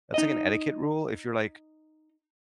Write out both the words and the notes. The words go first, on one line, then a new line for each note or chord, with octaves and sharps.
that's, like, an etiquette rule, if you're, like
D#4 D#5